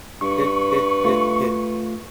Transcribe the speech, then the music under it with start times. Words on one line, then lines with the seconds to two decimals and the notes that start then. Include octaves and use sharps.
Heh heh heh heh!
0.21 G2 B4 C#6
1.05 A3 F4